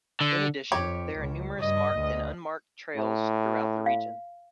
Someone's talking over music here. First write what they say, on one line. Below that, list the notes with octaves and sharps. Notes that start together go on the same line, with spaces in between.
In addition, there are numerous marked and unmarked trails throughout the region.
D3
F2 G4 C#5
C#2 C#3
G2 D#5
D2
A2
F5